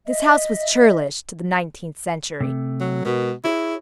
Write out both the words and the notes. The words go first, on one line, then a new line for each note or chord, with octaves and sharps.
This house was churlish to the nineteenth century.
D#5 E5
C3 A3
F#3
B2 G#3 F#4 A#4
E4 F#4 G#4 C#5